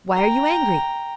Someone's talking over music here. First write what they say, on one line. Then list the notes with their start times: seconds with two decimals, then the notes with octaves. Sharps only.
"Why are you angry?"
0.14 G5 A#5